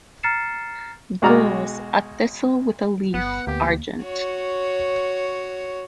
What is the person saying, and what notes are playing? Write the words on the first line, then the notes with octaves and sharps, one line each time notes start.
Gules, a thistle with a leaf Argent.
A#5 F6 A6 C7 C#7 E7
B1 G#3 F#4 D5 A#5 F6
G1 B3 F#5
D2 A#3 G4
F#4 C#5